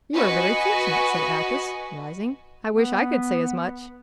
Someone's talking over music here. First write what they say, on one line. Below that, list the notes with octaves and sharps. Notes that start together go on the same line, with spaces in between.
"You are very fortunate," said Athos, rising; "I wish I could say as much!"
F#4 B4 D#5 G#5
B3